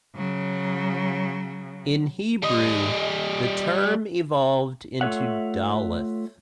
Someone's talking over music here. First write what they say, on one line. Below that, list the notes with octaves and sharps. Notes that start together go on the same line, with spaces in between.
In Hebrew the term evolved into "daleth".
C#3 F#3
G3 D#5
A3 F4 A4 C#5 E5 F#5